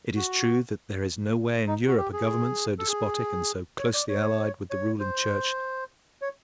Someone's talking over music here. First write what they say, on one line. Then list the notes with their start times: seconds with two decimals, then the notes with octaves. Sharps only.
It is true that there is nowhere in Europe a government so despotic and so closely allied with the ruling Church.
0.16 F#4
1.67 D#4
1.87 F#4
1.98 G4
2.13 G#4
2.79 A4
2.88 G#4
3.79 C#5
3.94 D5
4.09 C#5
4.70 C#5
4.99 C5
6.22 C#5